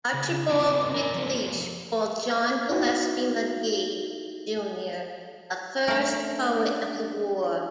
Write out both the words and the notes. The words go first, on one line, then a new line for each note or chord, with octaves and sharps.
Archibald Macleish called John Gillespie Magee, Junior "the first poet of the war".
C#3
C#3 F3 A#3 C4 E4
A#4 G#5
D3 F3 A3
D#4 E4 F#4
A3 C#4 D4 A#4 F5